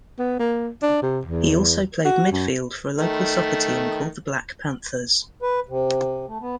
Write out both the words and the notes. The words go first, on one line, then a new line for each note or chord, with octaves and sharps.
He also played midfield for a local soccer team called the Black Panthers.
B3
A#3
D4
C3
E2
F#4
F#2
D#3 A3
B4
C3
A3
B3